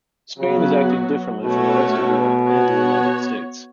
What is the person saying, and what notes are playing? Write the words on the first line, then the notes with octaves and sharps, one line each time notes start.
Spain is acting differently from the rest of Europe and the United States.
C#3 F#3 B3 F#4
B2 A3 C#4 F#4 A4 C#5
B2
B3 F#4 C#5